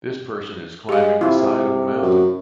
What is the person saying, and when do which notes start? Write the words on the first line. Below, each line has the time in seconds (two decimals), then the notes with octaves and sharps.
This person is climbing the side of a mountain.
0.89 G#3 G4 F5
1.21 C3 E4 F4
2.02 F#2